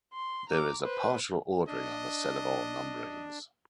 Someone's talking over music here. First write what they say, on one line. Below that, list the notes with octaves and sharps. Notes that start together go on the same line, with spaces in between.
There is a partial ordering on the set of all numberings.
C6
A#5 D6
B4 C5
D4 D#5